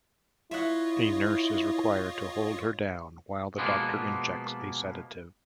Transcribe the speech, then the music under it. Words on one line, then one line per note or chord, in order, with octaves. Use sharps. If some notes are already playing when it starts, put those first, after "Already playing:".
A nurse is required to hold her down while the doctor injects a sedative.
E4 F4 C#5 D#5 E5 F#5
B2 F3 G#3 A#3 B3